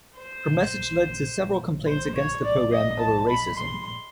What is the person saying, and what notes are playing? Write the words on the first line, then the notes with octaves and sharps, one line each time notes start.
Her message led to several complaints against the programme over racism.
C5
C5
C#5
D5
D#5
A5
B5
C6